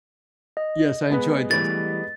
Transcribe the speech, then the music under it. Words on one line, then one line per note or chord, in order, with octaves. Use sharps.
Yes, I enjoyed this.
D#5
G#3 B3 B4
E3 G3 A3 A6